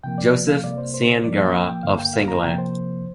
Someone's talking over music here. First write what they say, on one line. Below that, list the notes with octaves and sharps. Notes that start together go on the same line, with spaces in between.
Joseph Ciangura of Senglea.
C3 F3 A#3 G5
D5
F5
C3 G3 A#3 D5
C5
C5
A#2 F3 A#3 D5
F5
G5
G5
G2 D3 A#3 F5
G5
F5
A#5
C3 F3 A#3 G5
C5